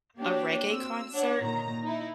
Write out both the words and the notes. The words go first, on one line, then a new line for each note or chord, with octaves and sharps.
a reggae concert,
A#3 D4 F#4 G4 C#5
C4 E6
D4 C#5 F#5
A#2 D3 D#3 A#5
D#4 E4